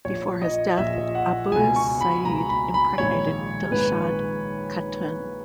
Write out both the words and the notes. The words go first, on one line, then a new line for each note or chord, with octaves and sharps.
Before his death, Abu Sa'id impregnated Dilshad Khatun.
A#1 A#2 C#5
D#5
A#1 A#2 E5
F#5
C#2 B2 G#5
C#6
B5
C#2 B2 A#5
B5
B5
A#1 G#2 D#3 C#5
A#1 G#2 D#3 B4